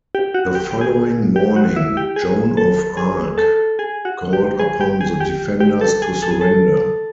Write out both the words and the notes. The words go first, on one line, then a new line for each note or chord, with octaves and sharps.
The following morning Joan of Arc called upon the defenders to surrender.
G4
F#4
G4
G4
G#4
G4
F#4
E4
G4
G#4
A4
G#4
A4
G#4
F#4
G4
G#4
G4
G#4
G4
G4
A4
G#4
A4
G#4
A4